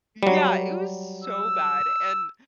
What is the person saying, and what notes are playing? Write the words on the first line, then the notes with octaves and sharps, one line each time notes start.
Yeah, it was so bad, and,
F#3 G3
E6